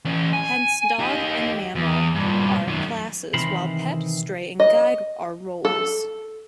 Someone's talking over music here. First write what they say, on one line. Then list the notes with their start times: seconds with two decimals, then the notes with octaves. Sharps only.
Hence, Dog and Mammal are classes, while Pet, Stray, and Guide are roles.
0.05 E3 C#4
0.33 G#5
0.99 D#4 G4
1.75 E2
2.15 G2 A#2
2.68 F#2 D#3
3.34 C3 D#3 E3 A#4 C5 B5
4.60 D#5
5.65 A4